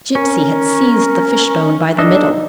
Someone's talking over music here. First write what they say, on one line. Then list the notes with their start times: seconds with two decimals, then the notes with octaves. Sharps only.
Gipsy had seized the fishbone by the middle.
0.15 C#4 A#4
1.98 D4 D#4 A4 D#5